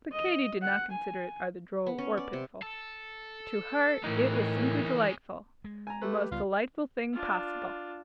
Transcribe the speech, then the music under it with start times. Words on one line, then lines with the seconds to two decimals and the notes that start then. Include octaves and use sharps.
But Katy did not consider it either droll or pitiful; to her it was simply delightful--the most delightful thing possible.
0.12 D#5
0.62 F#5
0.91 G#5
1.86 B3
1.98 C#4
2.17 D5
2.33 C3
2.62 A4
4.04 A2 E3 G#3 C#4 D#4 A#4
5.64 G#3
5.87 G#5 A#5
6.02 A3 G4 B4
6.31 C#2 G3 B3 F4
7.13 D4 F4